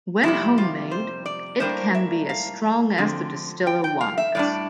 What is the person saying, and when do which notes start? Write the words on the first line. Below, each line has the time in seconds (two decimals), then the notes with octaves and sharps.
When homemade, it can be as strong as the distiller wants.
0.23 F2 C3 G3 E4
0.58 F4
0.91 C5
1.26 D5
1.60 A2 G3 A#3 D4 C5
1.94 E5
2.29 F5
2.98 D3 F3 C4
3.67 G5
3.84 G5
4.01 F5
4.18 E5
4.35 A2 G3 D4 D5